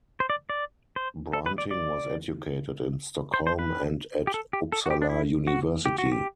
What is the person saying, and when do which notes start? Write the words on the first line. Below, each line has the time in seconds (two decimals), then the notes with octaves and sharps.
Branting was educated in Stockholm and at Uppsala University.
0.20 C5
0.30 D5
0.50 D5
0.96 C5
1.33 A4
1.46 B4
1.58 D5
1.71 D5
3.34 C5
3.47 C5
3.59 B4
4.27 G4
4.34 A4
4.53 G4
4.72 A4
4.86 F#4
4.91 G4
5.02 D4
5.09 E4
5.47 F#4
5.86 G4
5.98 F#4
6.12 G4